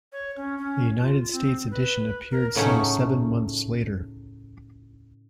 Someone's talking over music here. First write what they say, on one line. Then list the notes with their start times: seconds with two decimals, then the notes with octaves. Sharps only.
A United States edition appeared some seven months later.
0.12 C#5
0.37 C#4
0.58 C#4
1.02 F4
1.32 C4
1.71 B4
2.31 A#4
2.55 A2 C#3 F#3 A3 C#4 D#4